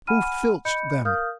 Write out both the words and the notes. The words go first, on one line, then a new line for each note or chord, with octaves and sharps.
Who filched them?
F#5 G#5 B5 F6 D#7
D#5 B5 G6 C#7
A#4 F5 D#6 F6 G6